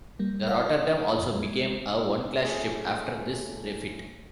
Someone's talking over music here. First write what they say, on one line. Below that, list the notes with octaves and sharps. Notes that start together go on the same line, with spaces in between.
The "Rotterdam" also became a one class ship after this refit.
G3 A#3
A#4 D5 F5 F#5
G1 F2
G#3
A#2 A3 C#4 G#4